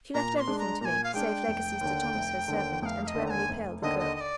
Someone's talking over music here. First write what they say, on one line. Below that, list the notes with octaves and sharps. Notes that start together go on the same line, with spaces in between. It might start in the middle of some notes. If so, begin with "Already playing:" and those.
She left everything to me, save legacies to Thomas her servant, and to Emily Pill, the cook.
A#2 A#5
D6
C6
G#3 D4
A#5
A#2 G#5 A#5
F5
G#3 D4 G5
F1
D#2 D3
F1
D#2 D3
F1 F5 G5
F5
D#5
D#2 D3
A#5
G#5
F1
D#2 D3 D#5
D#5
D#5
D5